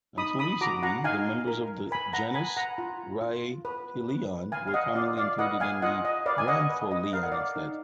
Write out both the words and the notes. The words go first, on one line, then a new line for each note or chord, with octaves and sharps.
Until recently, the members of the genus "Rieppeleon" were commonly included in "Rhampholeon", instead.
D#4 B5 D#6
B5 D#6
F#4 A#5 D6
F#5 A#5
D#4 F5 G#5
A#4
B4 G#5 B5
F#5 A#5
B4 G#5 B5
F#5 A#5
F4
F4
B4
B4
B4 F5 G#5
F5
D#5 F#5
F4 D5 F5
D5 F5
B4 D#5 F#5
F5 G#5
F4 D#5 F#5
D#5
B4 D5 F5
G#5
D#5 F#5
B4
D#5
A#4 F5
F#5
D5 F5
D#4